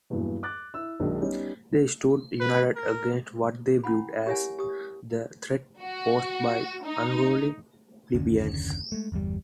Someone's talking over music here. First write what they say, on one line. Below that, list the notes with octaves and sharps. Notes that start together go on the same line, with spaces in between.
They stood united against what they viewed as the threat posed by unruly plebeians.
E2 G2 A#2 E3 F#3
D6 F#6 A6
E4 E6
A#1 D#3 F#3 G#3 A#3 D4
G3 B3 C#4 D#4 C#5
B4
A#4
C#4 E4 F#5 B5
G4 A#4 C#5 E5 F#5 G#5
G4 D#6
F#4
D#4
F#1 D#2 D3 C#4
G#3 A3
G1 E2 C3 G3